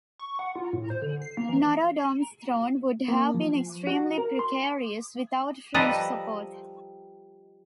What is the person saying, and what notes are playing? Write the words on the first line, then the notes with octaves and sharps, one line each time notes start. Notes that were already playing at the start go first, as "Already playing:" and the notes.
Norodom's throne would have been extremely precarious without French support.
C#6
F#5
F4
A2
C5
D3
C7
A#3
E3
A#3
F3
F#4
A#4
C6
F3 G3 A4 B4 D#5 A#5